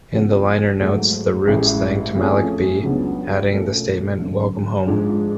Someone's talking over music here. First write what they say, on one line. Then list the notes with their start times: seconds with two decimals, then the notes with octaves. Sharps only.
In the liner notes, The Roots thanked Malik B, adding the statement: "Welcome Home".
0.13 C#3 F3 B3 F#4
0.80 G#2 F#3 A3
1.48 A1 A2 G#3
2.15 F2 F3 A3 C#4 G#4
2.83 C#2 C#3 F#3 B3 D4
3.51 B2 A3 C#4 F4 A4
4.18 F#2 D3 F#3
4.87 G#2 F3 G#3 D4